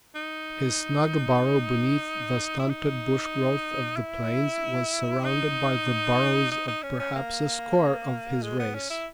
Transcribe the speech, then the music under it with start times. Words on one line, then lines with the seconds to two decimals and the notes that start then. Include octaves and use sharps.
His snug burrow beneath the stunted bush-growth of the plains was surrounded by the burrows of perhaps a score of his race.
0.15 D#4
2.60 E4
2.70 D#4
3.97 E4
5.25 D#4
6.51 D#4
6.68 D#4
6.83 C#4
6.99 C#4
7.16 A#3
8.43 G#3
8.59 B3
8.75 C#4
8.90 E4